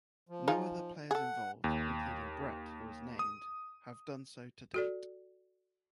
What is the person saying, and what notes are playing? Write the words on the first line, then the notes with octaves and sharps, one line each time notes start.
No other players involved, including Brett who was named, have done so to date.
F3
D#4 F4 G#4
G#4 A4 F#5
D#2
D#6
F#4 A4 D5